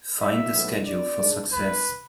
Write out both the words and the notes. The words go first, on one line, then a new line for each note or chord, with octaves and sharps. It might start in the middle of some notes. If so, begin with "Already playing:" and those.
Find the schedule for Success.
E5
B1 A2 G#3 B3
D5
G#2 G#3 D4
B4